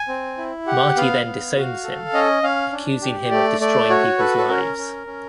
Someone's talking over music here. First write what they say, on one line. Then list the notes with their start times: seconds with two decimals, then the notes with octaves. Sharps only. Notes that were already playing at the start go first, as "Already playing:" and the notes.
Marty then disowns him, accusing him of destroying peoples' lives.
Already playing: G#5
0.08 C4
0.38 E4
0.66 G4 F#5
0.96 B3 F5
1.25 B3
1.56 F#4
1.84 A4
2.13 C#4 D#5
2.43 C#4 F5
2.73 D4
3.02 G4
3.31 A3 D5
3.60 A3 D5
3.90 F#4 C#5
4.18 A4 B4
4.38 A4
4.49 C#4 A#4
4.78 C#4
5.07 C#4